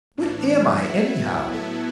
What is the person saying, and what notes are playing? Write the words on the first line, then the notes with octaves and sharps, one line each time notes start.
What am I anyhow?
A2 E3 D4
F#3 B3 E4
A2 F#3 B3 E4 A4